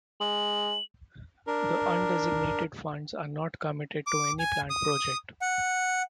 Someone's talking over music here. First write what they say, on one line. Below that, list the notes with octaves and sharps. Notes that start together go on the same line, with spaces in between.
The undesignated funds are not committed to any planned project.
G#3 F#7
D4 A#4
D6
G#5
D#6
F#5